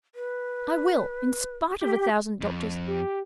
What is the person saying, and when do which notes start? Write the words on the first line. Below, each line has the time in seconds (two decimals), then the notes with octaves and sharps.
I will, in spite of a thousand doctors.
0.15 B4
1.81 G4
2.41 F2
2.87 G4